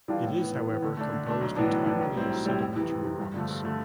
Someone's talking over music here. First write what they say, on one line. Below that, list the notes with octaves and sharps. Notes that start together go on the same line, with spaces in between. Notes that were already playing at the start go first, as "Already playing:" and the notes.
It is however composed entirely of sedimentary rocks.
E3 G3 D4 F4
A2
E3 B3
A2
E3 B3
D3
A3 D4
D3
A3 D4
B1
A2 E3 B3 D4
B1
A2 E3 B3 D4
B1
A2 G3 C4 E4
B1
A2 G3 C4 E4
F2
C3 E3
F2
C3 E3
G2
D3 F3 A3
G2
D3 F3 A3